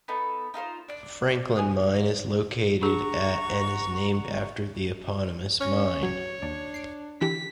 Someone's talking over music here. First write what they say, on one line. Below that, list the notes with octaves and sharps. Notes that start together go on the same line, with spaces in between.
Franklin Mine is located at and is named after the eponymous mine.
B3 D#4 A4 A5
D#4 F4 A4 C5
D4 D5
G#5 D#6 F#6
D4 G#4 F#5 A#5 C#6
C#4 F6 G#6 A#6
F#3 C#5
D#2 D4 D5
C7 D7
D3 E3 G4 B6